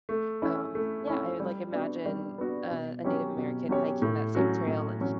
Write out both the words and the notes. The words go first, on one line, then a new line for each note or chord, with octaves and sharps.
um, yeah, I would, like, imagine a a Native American hiking that same trail and
A3
C#4 E4
A3
C#4 E4
G3
B3 D4 F#4
G3
B3 D4 F#4
B2
F#3 C#4 G4 C#5
B2
F#3 C#4 G4 C#5
A2
F#3 C#4 F#4
A2
F#3 C#4 F#4